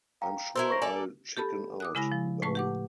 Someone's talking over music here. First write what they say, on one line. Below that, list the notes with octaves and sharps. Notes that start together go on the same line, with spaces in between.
I'm sure I'll chicken out though.
F5 G5 A#5
E4 A#4 C5 E6 G#6
C6 C#6 A#6
A#3 A4 D5 G#5
G4 A4 A5 B5
D6 D#6 F#6
C#3 G#3 E4 G#5 B5 A#6
F3
A2 A3 B4 A5 C#6
G4 F#5 D6